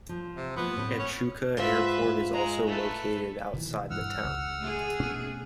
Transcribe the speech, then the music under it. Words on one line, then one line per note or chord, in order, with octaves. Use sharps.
Echuca Airport is also located outside the town.
F3
C3
F3 A#3 B3
A2 C4 B4
C#4
G#2 F4 B4 E5
G#3 A#5
A3 B4
B2 D#3 E3
G2 E3 F#5 E6 F6
C#2
A3 G#4
B2 B3 C#4